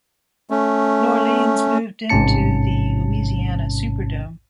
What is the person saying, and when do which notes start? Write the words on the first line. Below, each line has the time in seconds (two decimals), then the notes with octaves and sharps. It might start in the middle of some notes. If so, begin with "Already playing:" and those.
New Orleans moved into the Louisiana Superdome.
0.50 A3 C#4
2.10 A1 G#2 C3 C#4 A5 C#7